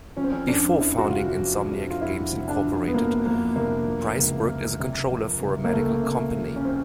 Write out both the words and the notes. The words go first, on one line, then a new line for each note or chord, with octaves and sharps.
Before founding Insomniac Games, Incorporated Price worked as a controller for a medical company.
F3 C#4
C4
C#4
F2 D4
F2 E4
F#4
C3 F4
F3
F2
F4
F2 E4
C3
D4
F3
B3
F2 A#3
F2 A#3
C3 A#3
F3
C#2
C#2
C3
F3
C#2
A#3
C#2 A3
C3
F3
C#4
C4